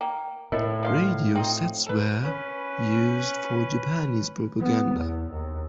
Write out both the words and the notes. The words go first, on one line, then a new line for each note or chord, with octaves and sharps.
Radio sets were used for Japanese propaganda.
A#3 G5
A2 E4 A#4 D#5
F3 F5 C6
C4 D#4 F4 G5
A4 B4
C#4 B4
B3
E2
D#2